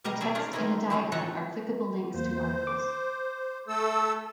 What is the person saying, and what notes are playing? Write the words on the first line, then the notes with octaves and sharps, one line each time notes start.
The text in the diagram are clickable links to articles.
B2 G3 G4 A#4 D#5 A#5
G#4 D5 E5
C#4 D#4 F4 G#4 D5 F5
D#3 F3 A#3 D#4 E4
C#3 F#3 A3 G4
D#4 F#4 G4 A4 C#5 F#5
E2 A#3 C5
D6
A3 A4 E6